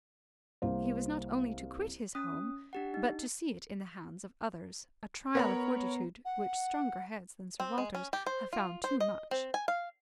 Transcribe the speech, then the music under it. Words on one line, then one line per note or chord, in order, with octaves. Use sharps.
He was not only to quit his home, but to see it in the hands of others; a trial of fortitude, which stronger heads than Sir Walter's have found too much.
C2 A#3 C5
C#4 D#6
D4 G4 F#5
D#4
B3 A#4 C#5 A#5 B5
F#5
C4
G#3
C#4
G4
C5
F4
C5
D#5
C4
G#5
F5